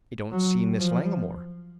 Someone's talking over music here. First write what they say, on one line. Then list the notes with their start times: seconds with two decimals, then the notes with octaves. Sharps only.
"I don't see Miss Langmore."
0.32 F#3
0.78 F3